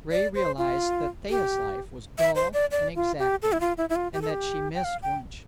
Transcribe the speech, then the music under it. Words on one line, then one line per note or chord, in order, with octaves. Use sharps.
Ray realized that Thea's life was dull and exacting, and that she missed Wunsch.
D5
C5
F4
G4
E5
C5
D5
D5
F4
G4
A4
E4
F4
E4
E4
F4
G4
A4
G4
G5
F5
G5